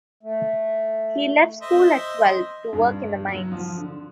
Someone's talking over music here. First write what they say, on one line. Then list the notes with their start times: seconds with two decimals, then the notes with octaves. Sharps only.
He left school at twelve to work in the mines.
0.23 A3
1.62 C5 D#5 E5
2.73 G2
3.28 F#3
3.52 F3
3.78 D3